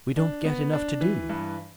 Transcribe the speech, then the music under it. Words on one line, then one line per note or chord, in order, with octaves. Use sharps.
We don't get enough to do.
D4
B3
D4
E3
G2